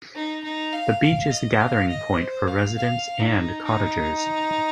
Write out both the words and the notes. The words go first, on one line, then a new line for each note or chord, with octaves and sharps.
The beach is a gathering point for residents and cottagers.
D#4
D#4
F5
F5
D#5
F5
D#5
C5
F5
F5
D#4
D#4